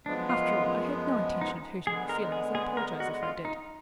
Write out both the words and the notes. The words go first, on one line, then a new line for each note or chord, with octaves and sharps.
After all, I had no intention of hurting your feelings, and apologise if I did.
F#2 F3 G#3 B3 D4
F4
D#4
D3 G#3 B3 G#4
A#4
G#4
G#4
A#4
F#4
F4
D#4